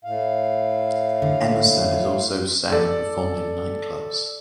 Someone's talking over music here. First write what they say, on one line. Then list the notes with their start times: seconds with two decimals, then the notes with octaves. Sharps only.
Emerson also sang and performed in nightclubs.
0.04 A2 F5
1.22 D3
2.72 A4 D5